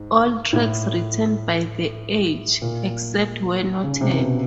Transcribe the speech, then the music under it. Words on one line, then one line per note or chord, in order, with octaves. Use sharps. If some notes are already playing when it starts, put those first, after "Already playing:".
All tracks written by The Edge except where noted.
Already playing: G#2
A2
A#2
C#3
C3
B2